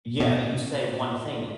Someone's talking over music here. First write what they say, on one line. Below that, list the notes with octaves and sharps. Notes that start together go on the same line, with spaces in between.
yeah, you say one thing
B2